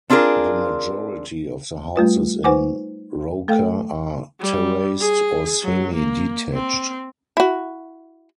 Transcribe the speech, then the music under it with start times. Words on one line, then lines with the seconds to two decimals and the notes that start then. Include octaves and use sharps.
The majority of the houses in Roker are terraced or semi-detached.
0.10 C4 D4 F4 G#4 A#4
1.96 G3 A3 F4 B4
2.44 D#4 B4 C5 F#5 G#5 D6
3.48 A3 A4 F5 G5
4.40 G3
5.00 G#4
5.64 F#3
5.95 A#3
6.54 C4
7.37 E4 F#4